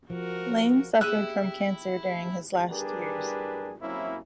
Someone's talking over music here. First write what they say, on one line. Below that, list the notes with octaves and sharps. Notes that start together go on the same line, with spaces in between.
Layne suffered from cancer during his last years.
F3 F#4 A#4
A#3 E4 G4 G#4 E5 F#6
G3 D4 G4 G#4 A#4 B4
F#3 A#3 C4 C#4 E4